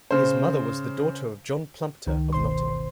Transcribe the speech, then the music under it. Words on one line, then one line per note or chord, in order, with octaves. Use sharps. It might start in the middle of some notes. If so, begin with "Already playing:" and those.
His mother was the daughter of John Plumptre of Nottingham.
C#3 C5
C#2 D#3
G1 B2 C5 C6